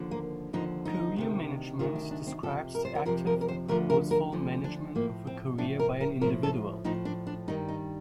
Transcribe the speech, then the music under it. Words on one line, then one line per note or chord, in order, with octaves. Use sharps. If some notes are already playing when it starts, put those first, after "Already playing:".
Career management describes the active and purposeful management of a career by an individual.
Already playing: D#2 D3 F3
A#3
D#2 D3 F3 D#4
D#4
D2 C3 D#3
D2 C3 D#3 F4
D4
D4
C4
F2 C3 F3 A4
A#4
C5
A#4
F2 C3 F3 A#4
A#4
A#4
C5
D2 D3 F3 A#4
A#4
A#4
D2 D3 F3
D4
A2 F3 A#3
C4
A2 F3 D4
A#4
A#4
A2 F3 A#4
A4
A2 F3 D#4
D4
D4
G2 D#3 G3 D#4
D#4